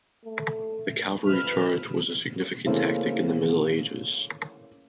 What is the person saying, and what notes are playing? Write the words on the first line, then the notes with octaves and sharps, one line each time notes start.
The cavalry charge was a significant tactic in the Middle Ages.
A3
F2 B4 E5 F6
C#3 E3 A3 A#3 C4 C#4